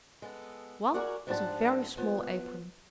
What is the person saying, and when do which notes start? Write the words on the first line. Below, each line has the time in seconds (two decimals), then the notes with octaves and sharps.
One was a very small apron.
0.22 G#3 B3 A4
0.94 F#4 G#4 A#4 C#5 D5 F#5
1.27 G#2 F3 G3 D4 F#5 A5
1.97 F3 B3